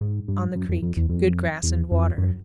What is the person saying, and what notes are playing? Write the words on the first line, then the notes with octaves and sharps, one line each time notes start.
On the Creek.--Good grass and water.
G#2
G2
F#2
F2
F2
E2
F2
E2
F2
F#2